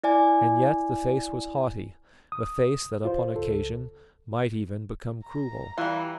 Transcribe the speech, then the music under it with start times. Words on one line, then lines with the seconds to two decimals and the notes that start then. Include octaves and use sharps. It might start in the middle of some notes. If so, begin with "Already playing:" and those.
And yet the face was haughty, a face that upon occasion might even become cruel.
0.04 E4 D5 G#5
2.32 D#6
3.05 F4 C5
3.36 C#2 A4
5.24 A#5
5.78 E3 G3 F4